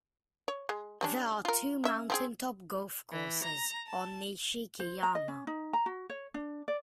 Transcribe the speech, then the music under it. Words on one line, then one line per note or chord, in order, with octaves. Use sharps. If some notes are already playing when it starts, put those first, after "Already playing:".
There are two mountain top golf courses on Nishiki-yama.
C#5
G#3
G3 C#4 D4
F4 A#4
C#4 E5
F3 C4 G#4
E3
A#5
A5
C5
A#5
D#5
C#4
D#4
A#5
F#4
C#5
D4
D5